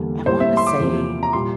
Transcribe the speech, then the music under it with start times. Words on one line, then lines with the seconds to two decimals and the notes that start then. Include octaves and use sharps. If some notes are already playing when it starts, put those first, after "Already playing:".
I wanna say
Already playing: E2 D3 G3 A#3
0.26 A2 G3 A#3 C5
0.40 E5
0.57 C6
0.67 D6
0.80 E2 C3 F3 A#3
1.23 A#5
1.33 A#2 G3 C6